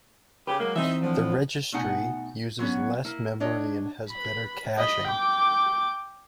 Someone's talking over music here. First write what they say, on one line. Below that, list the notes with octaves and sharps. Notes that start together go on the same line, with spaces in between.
The registry uses less memory and has better caching.
C#3 G4 B4
F#3 G#3 A#3
E3 C4 D#4 D#5 E5
A2 D3 F3
B2 A3 D#4 F#5 G#5
F#3 B3 C#4 F#4
A#3 E4
D4 C#5 D#5
B5
D#5 B5
G5 D6